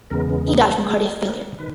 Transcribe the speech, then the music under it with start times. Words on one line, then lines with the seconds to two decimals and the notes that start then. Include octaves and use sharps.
He died from a cardiac failure.
0.10 E2 C#3 G#3 B3 A#4
0.48 D#4
0.84 G#4
1.21 A#4
1.59 D#3 B4